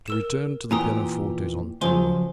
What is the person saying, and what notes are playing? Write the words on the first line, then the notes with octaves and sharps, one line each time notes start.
But to return to the pianofortes on tour.
A#4 E6 E7
A#2 E3 G4 G#5 A#5 D#6
C#2 F3 F#3 C5 G#5 C6